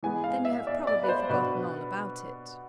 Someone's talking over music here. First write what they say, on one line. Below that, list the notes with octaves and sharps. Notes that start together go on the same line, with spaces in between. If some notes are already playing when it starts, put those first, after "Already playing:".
"Then you have probably forgotten all about it."
E3 G#3 B3 G#5
F5
E5
D5
D5
B4
C5
B2 B3 D4 B4